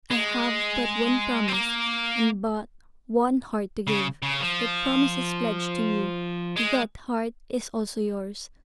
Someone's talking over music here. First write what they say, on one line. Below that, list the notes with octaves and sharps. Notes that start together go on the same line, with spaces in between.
I have but one promise and but one heart to give; that promise is pledged to you, that heart is also yours.
G#3
C4
A#3
C#3
C#3
F3
G#3